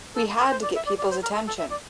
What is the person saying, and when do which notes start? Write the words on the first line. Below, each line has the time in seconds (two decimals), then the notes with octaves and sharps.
We had to get peoples' attention.
0.16 A4
0.39 A#4
0.51 C5
0.63 D5
0.76 E5
0.87 D5
0.99 D5
1.11 C5
1.23 A#4
1.35 A4
1.47 A4
1.59 E5
1.71 D5